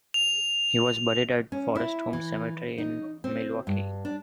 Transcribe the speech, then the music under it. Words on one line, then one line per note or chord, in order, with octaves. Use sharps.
He was buried at Forest Home Cemetery in Milwaukee.
F7
C#4
E4
E3
D#4
C4
G2
D4